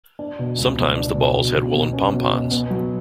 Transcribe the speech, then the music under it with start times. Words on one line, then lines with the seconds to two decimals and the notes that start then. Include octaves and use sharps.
Sometimes the balls had woolen pompons.
0.19 D4
0.39 B2
0.58 C#2
0.77 B2
0.96 D4
1.16 B2
1.36 B2
1.55 B2
1.74 B2
1.93 C#4
2.13 B2
2.32 B2
2.51 B3
2.70 F#3